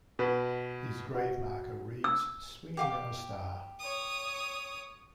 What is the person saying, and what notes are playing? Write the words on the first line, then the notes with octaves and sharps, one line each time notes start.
His grave marker reads Swinging On A Star.
B2 B4
F#4
E6
G4 F5 D6
C#5 D#6